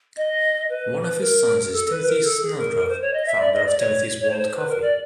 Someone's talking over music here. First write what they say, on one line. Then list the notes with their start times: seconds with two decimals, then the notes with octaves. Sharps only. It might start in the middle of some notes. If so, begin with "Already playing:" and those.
One of his sons is Timothy Snelgrove, founder of Timothy's World Coffee.
0.17 D#5
0.69 B4
1.20 A#4
1.72 A4
1.90 B4
2.07 A#4
2.24 A4
2.41 G#4
2.57 A#4
2.75 A#4
2.88 C5
3.01 C#5
3.13 D#5
3.26 E5
3.40 D5
3.53 D#5
3.65 D5
3.78 C#5
4.20 C#5
4.31 C5
4.42 C5
4.56 B4
4.69 A#4
4.82 D5